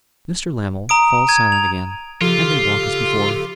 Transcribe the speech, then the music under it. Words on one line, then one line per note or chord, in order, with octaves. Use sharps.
Mr Lammle falls silent again, and they walk as before.
A#5 D#6 D7
A#5 G#6 D#7
F7
C#3 F3 F4 G4 A4